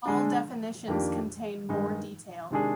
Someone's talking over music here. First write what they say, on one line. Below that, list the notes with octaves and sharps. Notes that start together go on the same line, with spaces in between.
All definitions contain more detail.
D3 G#3 D4
F2 D#3 A#3 D4 G4
G2 D#3 G#3 D#4
C3 D#3 G#3 D4 G#4